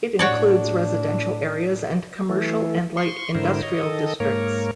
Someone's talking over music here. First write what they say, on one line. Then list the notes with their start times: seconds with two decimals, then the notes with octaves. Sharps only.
It includes residential areas and commercial and light industrial districts.
0.19 A2 D4 F#4 C#5 D5
2.29 E3 A3
2.97 C6 C#6
3.35 G#2 D3 E4 A#4 C5
3.63 C#5 D#5
3.83 D#3 A4 D#5
4.20 G#2 A#3 A#4 C#5